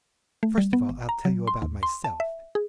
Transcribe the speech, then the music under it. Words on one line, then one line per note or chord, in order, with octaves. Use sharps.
First of all I'll tell you about myself.
A3
G3
B3
G#1
A#5
F#3
C6
D#2
C6
A5
E5
G#4